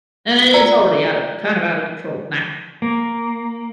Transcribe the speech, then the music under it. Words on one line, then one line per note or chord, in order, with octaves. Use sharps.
and then it's already out of kind of out of control now.
F4 D5 A#5 E6
A#3